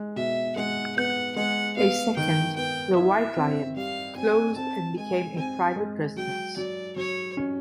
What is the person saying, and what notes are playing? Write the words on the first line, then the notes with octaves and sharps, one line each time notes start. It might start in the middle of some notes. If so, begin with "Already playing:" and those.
A second, the White Lion, closed and became a private residence.
Already playing: G#3
B2 E5
G#3 F#5
B3 F#5
G#3 F#5
B3 F5
D#3 G5
B3 G5
E4 E5
C4
G3 F5
C4 G#5
C4 A5
G#3 G#5
C4 G#5
G#3
F#3 G5
F#3 D5
F#3 C#5
C#4